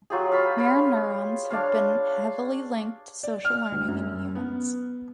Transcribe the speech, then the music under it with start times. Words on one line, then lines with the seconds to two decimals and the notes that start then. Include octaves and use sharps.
Mirror neurons have been heavily linked to social learning in humans.
0.10 F#3 F4 G4 G#4
0.32 F5 B5 C#6
0.58 B4 C#5 F5
1.50 D4 C#5 F5
3.23 D5
3.45 F6
3.72 D2
3.88 F#2
4.35 B3